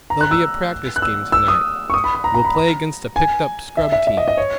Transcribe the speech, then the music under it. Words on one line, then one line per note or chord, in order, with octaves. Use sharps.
There'll be a practice game to-night; we'll play against a picked up scrub team.
A#5
F#6
E6
F#6
E6
E6
D#6
C#6
D#6
B5
B5
A#5
A#5
B5
A#5
G#5
E5
E5
E5
D#5
D#5
C#5